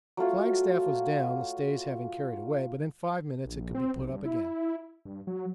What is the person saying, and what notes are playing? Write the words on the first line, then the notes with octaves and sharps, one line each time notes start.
The flagstaff was down, the stays having carried away, but in five minutes it could be put up again.
F#3 A3 F4 C#5
A#1
C4
B1
G2
E4
G2
F#3